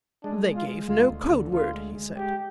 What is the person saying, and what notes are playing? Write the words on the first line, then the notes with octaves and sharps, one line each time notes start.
"They gave no code word," he said.
G#3 D4
G#3
F4
G#3
D2 F4
D2
D3
D2 F4
G#3
G#3
G#3 G4